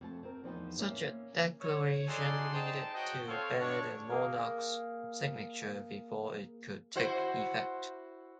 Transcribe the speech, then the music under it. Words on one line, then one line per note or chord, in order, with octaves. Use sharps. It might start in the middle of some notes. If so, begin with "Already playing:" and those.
Such a declaration needed to bear the monarch's signature before it could take effect.
F2 A3 A5
C4 A#4
E2 F3 D#4 G5
A#3 C#4 E5
C#5
D#4 F#4 G#4 A4 D5 C6
D#4 G#4 C5 D#5 G5 A5
F#4 C#5 D#5 G5
C4 F4 A4 C5 C#5 F5
G#3 B3 D4 C#5
A#3 G#4 A#4
E4 F#4 C5